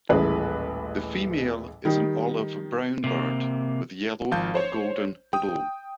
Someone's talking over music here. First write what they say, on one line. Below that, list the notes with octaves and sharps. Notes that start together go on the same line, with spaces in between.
The female is an olive brown bird with yellow or golden below.
D#1 A1 E3 G#3 B4
D#3 G3 D#4
C3 A#3
G#1 F3 F5 A5 G6
C5 C#5
G5 D#6